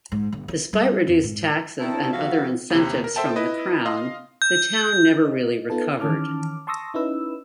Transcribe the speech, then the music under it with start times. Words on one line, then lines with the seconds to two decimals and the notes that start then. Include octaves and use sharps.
Despite reduced taxes and other incentives from the Crown, the town never really recovered.
0.12 G#2
0.32 G1
0.48 E4
0.73 G3
1.07 F2
1.23 G#2
1.80 D#3 C4 D4 E4 A5
2.13 F2 F3 B3 F#4 E5 F5
2.70 D#2 C3
3.04 A#4
3.16 A4 C5 E5 G5 A5
3.36 E4 B4 D#5
3.85 D#5 F5 C6
4.42 G6
5.25 D#5
5.70 B3 D#4 F4 A4 B4 A5
6.00 D#3 E3 C#4 A5 D6 F6
6.67 A5 C6 C#6 D#6 E6 A#6
6.94 C#4 D#4 E4 B4 E6